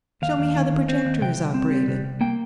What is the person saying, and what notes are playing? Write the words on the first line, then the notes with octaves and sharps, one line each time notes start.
Show me how the projector is operated.
D#2 F5
D#2
D#3
D#2
C4
D#2
C3 G5
C2
C4
G3
C3
C2
A#3 G5